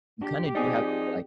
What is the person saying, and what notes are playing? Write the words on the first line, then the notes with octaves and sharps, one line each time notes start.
you kind of do have to, like,
D4 G4
F3 C4 D#4 G#4 D5